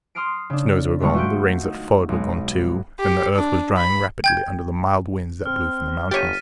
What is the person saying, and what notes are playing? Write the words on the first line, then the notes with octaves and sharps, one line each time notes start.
The snows were gone, the rains that followed were gone, too, and the earth was drying rapidly under the mild winds that blew from the mountains.
C6 D#6 F6 C7 D7
C#3 D4
B2 D3 G3 G#3 F4 C#6
A3 F4 F#4 F#5 G6 D7
D#4
B1 G#3
G4
D4
B5
G5 G6 G#6
C4 F6
G1 G4 C#5 A6 B6 D#7